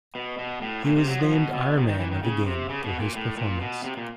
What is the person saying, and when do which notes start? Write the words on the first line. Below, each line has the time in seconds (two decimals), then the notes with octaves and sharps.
He was named Ironman of the Game for his performance.
0.15 B2
0.39 B2
0.62 A2
0.85 A#2
0.96 C3
1.07 F#3
1.19 F3
1.31 B2
1.53 B2
1.77 C3
1.88 D#3
1.99 E3
2.11 D#3
2.23 C#3
2.46 C3
2.69 C#3
2.84 B2
3.00 A#2
3.15 A2
3.37 A#2
3.61 B2
3.84 C3
3.97 A#2